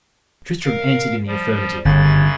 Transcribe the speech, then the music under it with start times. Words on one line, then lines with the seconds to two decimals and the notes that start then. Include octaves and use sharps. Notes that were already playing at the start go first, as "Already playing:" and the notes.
Tristram answered in the affirmative.
0.65 A#4 F5
1.27 F3 G3
1.85 G1 F#2 C#3 A6